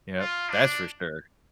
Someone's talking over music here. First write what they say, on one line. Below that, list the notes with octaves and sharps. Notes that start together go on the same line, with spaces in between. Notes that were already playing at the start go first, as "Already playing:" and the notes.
Yep, that's for sure.
F4
D4